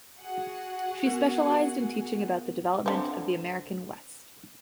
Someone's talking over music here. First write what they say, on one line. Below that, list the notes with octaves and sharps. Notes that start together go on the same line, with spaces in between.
She specialized in teaching about the development of the American West.
F#4 G#4 F#5
B3 A#4
D3 C4